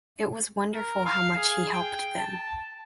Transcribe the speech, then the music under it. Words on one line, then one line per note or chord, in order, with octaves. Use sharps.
It was wonderful how much he helped them.
A#4
F5
G#4
G5
A5